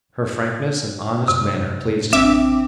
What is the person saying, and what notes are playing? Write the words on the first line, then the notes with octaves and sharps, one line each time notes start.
Her frankness and honest manner pleased him.
F#2 C3
A1 C4 D4 E5 D6